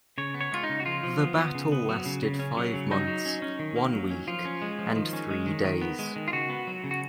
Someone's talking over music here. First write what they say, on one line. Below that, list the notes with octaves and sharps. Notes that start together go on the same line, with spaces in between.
The battle lasted five months, one week, and three days.
C#3 C#5
B3
C#5
G#3 F4
D#4
C#3
F#4
F3 F4
F3
B3
B3
C#3
B3
F#3
C#3
C#3
C#4
F#3
C#3
F#3 D#4
F#3
C#4
C#4
D#3
A#3
F#3
C#4
F3 F4
C#4
G#3
F3
D#3
C#4
G#3
D#3
D#3
B3
G#3
D#3
F4
C#3 F#4
B3
F#3
C#3
F#4